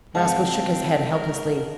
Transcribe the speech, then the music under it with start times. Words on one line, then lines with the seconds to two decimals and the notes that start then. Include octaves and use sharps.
Roscoe shook his head helplessly.
0.15 C#2 G#2 C4 F5 F#5 A5 A#5
1.11 A#4